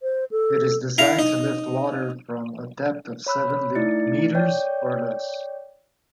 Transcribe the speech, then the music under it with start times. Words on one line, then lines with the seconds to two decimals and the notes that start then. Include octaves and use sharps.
It is designed to lift water from a depth of seven metres or less.
0.02 C5
0.31 A4
0.98 E4 F5 A#5
1.19 D#4
3.26 C#5 B5 E6 F#6
3.75 A3 D#4 E4 D5 A6 C#7
4.35 C#5 D5 G5 G6